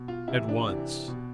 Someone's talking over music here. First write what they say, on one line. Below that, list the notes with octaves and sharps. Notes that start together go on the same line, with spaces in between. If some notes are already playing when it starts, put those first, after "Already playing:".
At once.
Already playing: B2
F4
C3 E3 E4
D4
C3 E3
B2